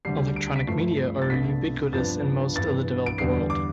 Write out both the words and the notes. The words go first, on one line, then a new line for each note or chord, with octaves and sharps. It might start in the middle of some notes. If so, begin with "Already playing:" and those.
Electronic media are ubiquitous in most of the developed world.
D2 D3 G3 C7
D7
B6
G2 F3 A3 C7
A6
C2 B2 A3 D4 B6
G2 F3 B3 D4 A6
G2 E3 B3 A6
D7
E2 D3 G3 B3 C7
D6